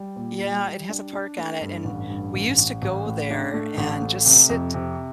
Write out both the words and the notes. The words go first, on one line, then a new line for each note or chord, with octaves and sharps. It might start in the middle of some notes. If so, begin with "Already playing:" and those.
yeah, it has a park on it and we used to go there, and just sit
Already playing: G3
A#2
G3
G3
D4
D4
A3
G2
A1
G2
A1
A1
A1
A2
D4
A3
A1
A3
C3
F2
C3